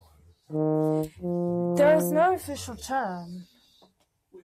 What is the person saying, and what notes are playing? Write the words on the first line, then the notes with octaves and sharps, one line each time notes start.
There is no "official" term.
D#3
F3